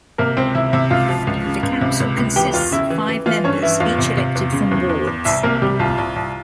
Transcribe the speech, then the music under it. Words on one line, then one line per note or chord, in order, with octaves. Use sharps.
The council consists of five members each elected from wards.
C3 A#3 A#4
C#2 C4 C5
C3 E4 E5
C3 E4 E5
C#2 F4 F5
F3
C#2
C#3
C#2
C3
C#2
C#2
E3 G4 G5
E2 F4 F5
C#3 E4 E5
E3
E3
E3 F4 F5
G2 C#4 C#5
E3 E4 E5
E2 F4 F5
C3
C3
E2
C#3
E2
E2
E2
C2 E4 E5
C3 A#3 A#4
C3 G3 G4
C2 F4
C2
C2